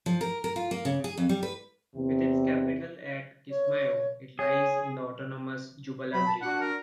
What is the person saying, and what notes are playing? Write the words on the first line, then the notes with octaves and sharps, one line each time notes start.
With its capital at Kismayo, it lies in the autonomous Jubaland region.
F3
A#4
A#4
F4
A#3
C#3
G#4
F2
G3
B4
E2 C3
C#5
G#4 C#5
F#3 B5
A5
D4 F#4 F#5
A#4